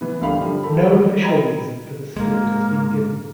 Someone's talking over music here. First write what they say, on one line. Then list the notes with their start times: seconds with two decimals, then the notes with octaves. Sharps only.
No official reason for the split has been given.
0.01 E3 B3
0.21 C2 G2 D3 G4 F5 B5
0.40 D3 F3 G3
0.63 G4 A4 A#4 B5
1.22 D#5 G5 A#5 B5 G#6
2.16 G#2 G#3 A#3